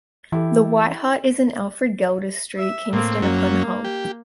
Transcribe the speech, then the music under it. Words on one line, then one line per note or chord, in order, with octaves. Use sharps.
"The White Hart" is in Alfred Gelder Street, Kingston upon Hull.
E3 E4 G4 A4
E5
A2 A#3 C4
F#2 F#3 A#3 C#4
G4